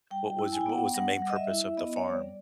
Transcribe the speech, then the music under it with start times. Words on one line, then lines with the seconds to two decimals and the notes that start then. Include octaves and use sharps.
what was what was the main purpose of the farm?
0.11 G3 G5
0.39 E4
0.53 G#5
0.61 G5
0.66 B3 F#5
0.78 G5
0.94 G3 F#5
1.22 G3
1.30 D#5
1.36 E5
1.50 E4
1.77 B3 D#5
1.96 C#5
2.05 G3 D5